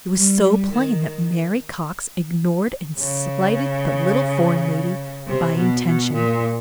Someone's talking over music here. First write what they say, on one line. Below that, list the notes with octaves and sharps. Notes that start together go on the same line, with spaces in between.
It was so plain that Mary Cox ignored and slighted the little foreign lady by intention.
G3
D#3
C#3
C3
B2
B2
A#2